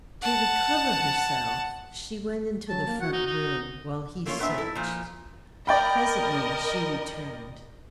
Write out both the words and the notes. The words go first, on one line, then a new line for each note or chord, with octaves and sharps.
To recover herself she went into the front room while he searched. Presently she returned.
F#5 A5
F#3 A5
A#3
F#4 F#5
D#4
D#4 F#4
A3 A#3 C#4 F4 C5 C#5
A#2 B3 D4 F4 E5
E4 A4
A#2 F3
A#4 D5 D#5 G5 B5